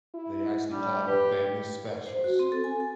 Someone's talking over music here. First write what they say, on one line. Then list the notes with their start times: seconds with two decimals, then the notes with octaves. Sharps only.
they actually called them family specials.
0.14 E4
0.71 G3 D4
1.07 G4 B4
2.06 C5
2.24 F#4
2.39 C4
2.52 A4
2.64 G#5
2.80 A4